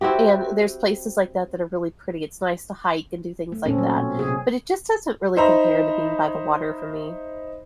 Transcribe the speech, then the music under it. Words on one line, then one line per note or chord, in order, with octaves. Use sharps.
and there's places like that that are really pretty, it's nice to hike, and do things like that, but it just doesn't really compare to being by the water for me.
C4 E4 F#4 G4
A3
A#2 A3 C4 C#4 A4
F#3
B2
C3 G#4
D#4 C5 E5 A#5 B5